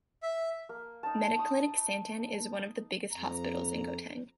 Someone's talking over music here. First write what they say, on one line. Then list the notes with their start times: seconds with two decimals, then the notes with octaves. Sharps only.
Mediclinic Sandton is one of the biggest hospitals in Gauteng.
0.23 E5
0.69 A#3
1.03 D#4 A5
1.39 D#6
3.12 F2 A#5